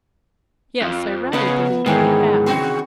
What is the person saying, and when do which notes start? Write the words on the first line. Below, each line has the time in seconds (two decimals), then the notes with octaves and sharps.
"Yes, I rather believe we have."
0.81 F2
1.33 C#3 A3 B3 B4 D#5 F#5
1.86 G#2 D#3 E3 G#4 C#5
2.46 C3 C4 F#4 G#4